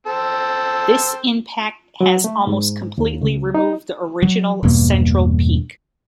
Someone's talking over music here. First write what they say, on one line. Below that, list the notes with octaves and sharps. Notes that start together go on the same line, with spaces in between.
This impact has almost completely removed the original central peak.
C4 A4
F#3
A3
G#2
D#2
C#2
D#4
F#3
E1 G2 B2 A#3